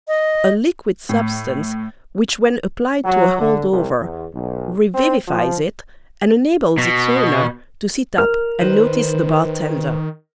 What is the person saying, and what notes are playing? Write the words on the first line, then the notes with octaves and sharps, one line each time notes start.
A liquid substance which when applied to a "holdover" revivifies it and enables its owner to sit up and notice the bar-tender.
D#5
A2
F#3
D3
C2
E2
B1
C4
F3
B2
A#4 F6
D#3 B4 C5